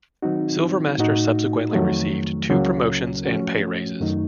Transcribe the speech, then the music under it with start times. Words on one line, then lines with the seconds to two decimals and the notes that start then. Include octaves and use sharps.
Silvermaster subsequently received two promotions and pay raises.
0.22 D#3 F#3 C4 D#4 F#4
0.98 A2 A3 D#4 F#4
1.73 F2 D#3 F#3 A3
2.49 C#2 C#3 F#3 A#3 C#4
3.25 F3 A3 C#4 F#4
4.00 F#2 D#3 F#3 A3 D#4